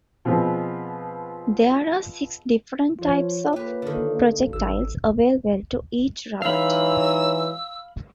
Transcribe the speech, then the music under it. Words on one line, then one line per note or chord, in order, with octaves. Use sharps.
There are six different types of projectiles available to each robot.
B2 F3 G#3 B3 C4
F3 F4 C#5
A#3 G4 B4
D3 D#3
G#1 E6
E3 F#3 G#3 D#4 F5 B5 E6